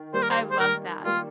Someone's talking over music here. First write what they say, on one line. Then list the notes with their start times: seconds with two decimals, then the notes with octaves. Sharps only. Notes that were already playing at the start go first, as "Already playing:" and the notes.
I love that.
Already playing: D#3
0.14 G3 A#3 C5
0.22 A#4
0.30 C5
0.51 C5
0.60 D#3 A#4
1.05 G3 A#3 F4